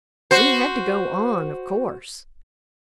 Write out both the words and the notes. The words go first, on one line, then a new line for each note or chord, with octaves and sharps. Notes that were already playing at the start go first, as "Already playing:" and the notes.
We had to go on, of course.
F#4 C5